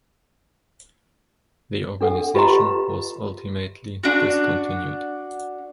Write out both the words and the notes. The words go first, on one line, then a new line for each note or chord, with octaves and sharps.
The organization was ultimately discontinued.
D4 A4 F#5
F4 G4 B4 D#5 A#5 C6
D4 F#4